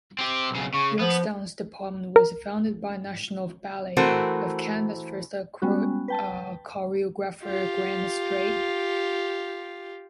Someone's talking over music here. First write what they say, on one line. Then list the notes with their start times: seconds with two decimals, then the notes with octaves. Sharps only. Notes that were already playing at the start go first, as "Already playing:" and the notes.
York's Dance department was founded by National Ballet of Canada's first choreographer Grant Strate.
0.19 C4 G4
0.51 B1 C#3
0.74 C#3 C#6
0.99 F3 B3
2.16 A#4
3.97 E3 A3 C4 F#4 A#4 C5
5.62 G3 G#3 B3 C#4 F#4
6.08 B4 G5 A5
7.44 F4 G4